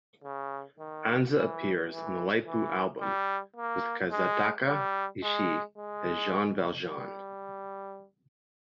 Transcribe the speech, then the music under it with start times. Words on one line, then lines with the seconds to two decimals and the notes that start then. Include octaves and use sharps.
Anza appears on the light blue album with Kazutaka Ishii as Jean Valjean.
0.24 C#3
0.79 D#3
1.35 E3
1.90 E3
2.46 E3
3.00 G3
3.56 A#3
4.11 G#3
4.67 G3
5.23 G#3
5.78 G#3
6.89 G3